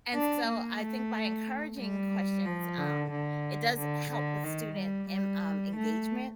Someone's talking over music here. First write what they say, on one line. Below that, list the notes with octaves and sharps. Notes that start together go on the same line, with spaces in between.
and, so, I think by encouraging questions, um, it does help with student em um, engagement.
D4
A#3
A3
G3
F3
D3
D3
D3
D3
D#3
G3
G3
A3